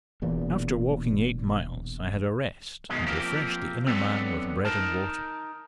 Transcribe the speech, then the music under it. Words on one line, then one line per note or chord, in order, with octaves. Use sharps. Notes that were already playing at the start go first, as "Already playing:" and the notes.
After walking eight miles, I had a rest, and refreshed the inner man with bread and water.
E1 E2 A#2
F#2 B2 D#3 G#3 C#4
F3 A#3 C4 G4 A#4
D3 F#3 B3 C4 A4
D#4 A#4 A5